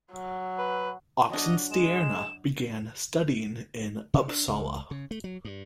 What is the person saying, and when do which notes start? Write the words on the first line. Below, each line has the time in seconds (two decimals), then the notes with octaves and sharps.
Oxenstierna began studying in Uppsala.
0.12 F#3
0.58 B4
1.30 F#3 D4 D#5
1.72 G#3 E7
4.14 C3
4.28 D4
4.48 C#2
4.91 C#3
5.11 A3
5.24 F#3
5.45 G2